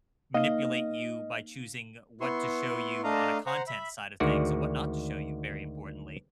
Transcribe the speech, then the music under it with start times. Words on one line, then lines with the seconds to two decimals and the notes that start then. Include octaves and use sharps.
manipulate you by choosing what to show you on a content side of things, and what not to show you, very importantly.
0.34 A#3 D#4 D#5 F5
2.21 B3 E4 C6 C#6
3.04 A3 D4 D#5 F5 A#5
3.46 C5 F#5 A#5
3.67 E5 B5
4.20 D2 D#3 G#3 F#4 D5